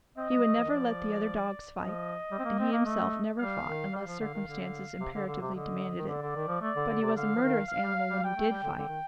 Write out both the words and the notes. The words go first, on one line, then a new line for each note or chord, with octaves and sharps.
He would never let the other dogs fight, and he himself never fought unless circumstances imperatively demanded it; but he was a murderous animal when he did fight.
C4 D#5
A#3
G3
A3
F3
D#3
F3 D5
F3 D#5
G3
C4
A#3
C4
A#3
A3
G3 F5
D#3
G3 F5
F3
D3
D#3
D3
C3
D3
D3
C3
D3 D#5
D#3
D3 D5
D3
D#3
F3
A3 D5
D3
D3
C3
D3 F5
F3
D#3
F5
G3
G3
G3 G5
A3
G3
D3
D3 G5
D#3